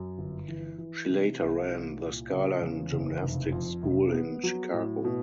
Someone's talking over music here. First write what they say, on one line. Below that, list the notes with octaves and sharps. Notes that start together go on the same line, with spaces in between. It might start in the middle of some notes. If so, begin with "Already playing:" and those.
She later ran the Skyline Gymnastics school in Chicago.
Already playing: F#2
G1
E3
E3
C3
C2
C2
A#2
C#3
E2
F#1
F1
F2
F1
B3
F#3
A2
B2